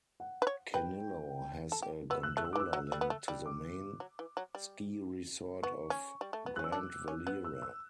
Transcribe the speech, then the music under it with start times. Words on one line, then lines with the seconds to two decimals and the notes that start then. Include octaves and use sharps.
Canillo has a gondola link to the main ski resort of Grandvalira.
0.20 F#5
0.42 B4
0.47 C#5
0.74 B4 G5
1.72 A4
1.82 G4
2.10 B3 E6
2.23 F#6
2.37 A3 F#6
2.45 E6
2.53 D6
2.56 E3
2.60 E6
2.73 F#3
2.92 G3
3.01 B3
3.10 A3
3.28 G3
3.46 D6
4.00 F#3
4.19 E3
4.37 F#3
4.55 G3
5.63 B3 C#6
5.90 C#4
6.21 G3
6.33 A3
6.46 B3
6.56 F#6
6.59 C#4 E6
6.72 D4 D6
7.08 C#4
7.26 B3 F#6
7.44 E6
7.62 E6